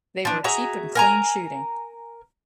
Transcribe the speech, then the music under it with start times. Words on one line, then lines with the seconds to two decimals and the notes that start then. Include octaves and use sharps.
They were cheap and clean shooting.
0.25 F3 D4
0.44 F#4 G#4 E5 A#5
0.95 A#4 G#5 A#5